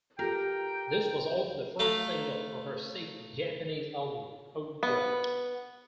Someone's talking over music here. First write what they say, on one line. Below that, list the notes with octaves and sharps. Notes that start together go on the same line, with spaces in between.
This was also the first single for her sixth Japanese album, Outgrow.
F4 G4 A4 A#4 G5
A3 F5 A#5
B3